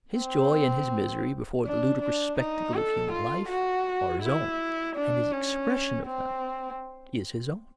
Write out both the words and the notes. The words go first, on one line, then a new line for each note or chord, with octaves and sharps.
His joy and his misery before the ludicrous spectacle of human life are his own, and his expression of them is his own.
C4
D4
D4
D#4
A4
F4
F#4
E4
D4
C#4
C4